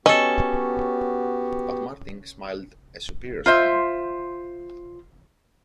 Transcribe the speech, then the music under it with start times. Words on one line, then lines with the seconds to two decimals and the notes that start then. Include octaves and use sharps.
But Martin smiled a superior smile.
0.06 B3 C#4 F#4 G4 A4 D#5
3.46 F4 C5 E5